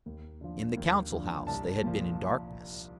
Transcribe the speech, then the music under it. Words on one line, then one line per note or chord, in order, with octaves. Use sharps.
In the Council House they had been in darkness.
D#2
D3 F3
D#2
F3
D3
C2 A5
A#2 F3